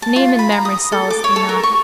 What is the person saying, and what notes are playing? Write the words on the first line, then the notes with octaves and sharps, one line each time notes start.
Name and memory solace thee not.
A5
F4
B5
A#5
D#6
A4
D6
C#5
A4
A#4
C#6